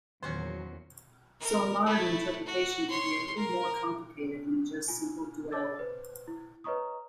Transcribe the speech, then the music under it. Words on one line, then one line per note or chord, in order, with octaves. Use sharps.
So a modern interpretation can be a little more complicated than just simple duality.
E2 A#2 D#3 F#3 C#4 F#4 C5
A#4
A3 E4
F#4
C#5 C6
A#4
F4 G#5
C#5 D#5 D6 E6 A6
B4 C5
E4
B4 C#5 D#5 A#5 C#6 D#6